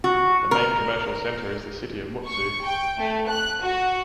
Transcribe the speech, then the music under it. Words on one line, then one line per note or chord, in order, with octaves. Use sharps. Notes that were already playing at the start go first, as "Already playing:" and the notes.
The main commercial centre is the city of Mutsu.
F#4
A#4
C#6
G5
A3
F#6
F#4